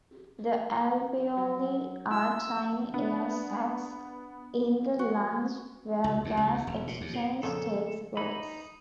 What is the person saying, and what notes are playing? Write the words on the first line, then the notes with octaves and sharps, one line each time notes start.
The alveoli are tiny air sacs in the lungs where gas exchange takes place.
F#3
E4 E6
B3 D4
F#4
C#2
D#2
C#2
D#2
E1
A#2
D#2
A2
F2 A#2 C#3 A4
E3 D#4 B5